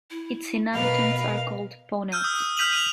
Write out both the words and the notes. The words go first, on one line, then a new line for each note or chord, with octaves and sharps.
Its inhabitants are called "Ponots".
E4
B2 A#4 B4 D#5 F5 B5
E6 F6 G6 D#7
D#6
F6 G6 B6 D#7 F7 F#7
D#7 F7